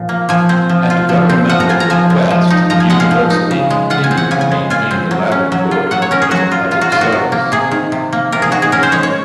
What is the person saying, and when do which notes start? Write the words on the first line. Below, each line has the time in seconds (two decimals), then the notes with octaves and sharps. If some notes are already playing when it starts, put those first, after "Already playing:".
At governmental request, the University continued to maintain the Laboratory as a public service.
Already playing: A#2 F3
0.09 A#3
0.29 F3 G#5
0.49 C4
0.69 F3
0.90 F4
1.09 F3
1.29 C4
1.50 F3 F#5
1.60 A#5
1.69 F4 G#5
1.80 A#5
1.90 F3 G#5
2.10 G#3
2.30 F3
2.50 D#4
2.70 F3 A#5
2.80 G#5
2.90 G#3 F#5
3.00 F5
3.11 F3
3.30 D#4
3.51 C#3
3.70 G#3
3.90 F4 F#5
4.04 G#5
4.11 C4
4.17 F#5
4.31 C#3 G#5
4.41 G#5
4.51 G#3
4.70 F4 G#5
4.91 C4
5.11 F#3
5.32 C#4
5.52 F#3
5.71 F4
5.91 F#3 F#5
6.02 C#5
6.11 C#4 A#4
6.22 G#4
6.31 F#3 F#4
6.52 F4
6.71 C3 F4
6.81 F#4
6.92 D#3 F4
7.01 F#4
7.12 C3
7.32 A#3
7.52 C3 G#4
7.71 D#3
7.92 C3
8.13 A#3
8.32 C3 A#4
8.42 G#4
8.52 D#3 F#4
8.62 G#4
8.72 C#4 A#4
8.83 C5
8.92 G#3 C#5
9.03 C#5